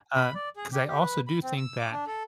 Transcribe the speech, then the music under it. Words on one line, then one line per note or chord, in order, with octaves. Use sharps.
uh 'cause I also do think that
B5
D5
G#4
G4
G4
B4
B5
C4
E6
D6
D4
A4